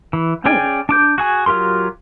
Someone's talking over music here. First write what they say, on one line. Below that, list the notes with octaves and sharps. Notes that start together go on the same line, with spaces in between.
Oh oh
E3
C#4 G#4 D5 G5 G#5
D4 D6 G6
F#4 G#4 G#5
F#3 F4 G4 A#4 C6